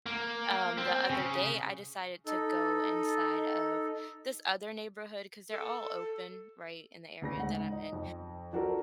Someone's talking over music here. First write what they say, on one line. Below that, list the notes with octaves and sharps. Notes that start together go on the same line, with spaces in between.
um, the other day, I decided to go inside of this other neighborhood 'cause they're all open right in the area that I'm in.
A#3
C4
C#3
D#4 A4
A4
D2 C#3 A#6
G#2 F#5
D#4
F2
F3 D4 F#4 A4 A#4